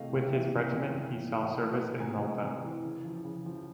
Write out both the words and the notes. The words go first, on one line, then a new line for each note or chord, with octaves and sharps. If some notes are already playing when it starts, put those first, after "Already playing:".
With his regiment he saw service in Malta.
Already playing: C3 E3 A3 D#5 F5
C3
E3 E5
C3
C3
C3
E3
E3
E3
A3
C3 G#5 A#5
A3
C3
E3
C#3
F3
C#3
F3